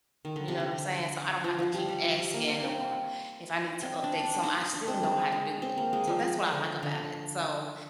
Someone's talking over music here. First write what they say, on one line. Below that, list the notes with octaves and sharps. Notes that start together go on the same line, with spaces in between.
You know what I'm saying? So I don't have to keep asking or if I need to update some, I still know how to do it. So that's what I like about it. So
D#3
D3
C3
D3
F3
F3
G3
G3
F3
G3
A#3
C4
C4
C4
D4
D4
D#4
D#4
D4
C4
G#3
G#3
C4
A#3
G#3
F3
F3
D3
D3